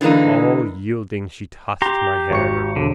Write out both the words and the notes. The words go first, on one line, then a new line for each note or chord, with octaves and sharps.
All yielding she tossed my hair.
D3 E3 G#3 A#3 D#4
G4 A#5 C6
G#1 C#6 C#7
E1 D3